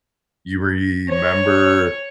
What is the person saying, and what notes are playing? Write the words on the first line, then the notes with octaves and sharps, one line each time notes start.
you remember,
C#5